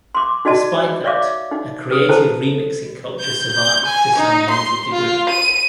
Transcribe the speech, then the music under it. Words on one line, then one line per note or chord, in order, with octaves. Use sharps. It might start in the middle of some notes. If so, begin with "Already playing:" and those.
Despite that, a creative remixing culture survived to some limited degree.
C6 D6
D#4 F#4 D5 D#5 A5
C#5 D5 E5 F5 D6
D#4
B4 D#6
E4 A4 C5 A5
G6
G6
G#5
D#4
C6
F4
D#7